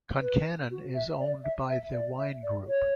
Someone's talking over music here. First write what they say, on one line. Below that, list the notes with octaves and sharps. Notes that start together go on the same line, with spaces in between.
Concannon is owned by The Wine Group.
B4
F#4
E5
D5
E5
E5
D5
E5
D5
C#5